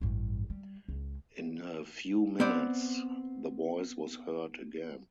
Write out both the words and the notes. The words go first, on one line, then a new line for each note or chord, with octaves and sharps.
In a few minutes the voice was heard again.
A1 G2
G3
C#2
B3 C4 C5 D5